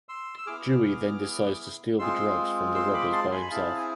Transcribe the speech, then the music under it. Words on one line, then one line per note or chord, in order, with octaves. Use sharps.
Dewey then decides to steal the drugs from the robbers by himself.
C6 E6
E6
B3 E4 G#4 D6 F6
G#3 C4 F4 G#4 C6 E6
C6 E6
B5 D6
A5 C6
G#5 B5
B5
C4 E4 G#4 F5 A5
G#5